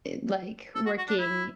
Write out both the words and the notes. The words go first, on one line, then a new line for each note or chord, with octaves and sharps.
eh, like, working
A4
F#4
F#4
D4
E4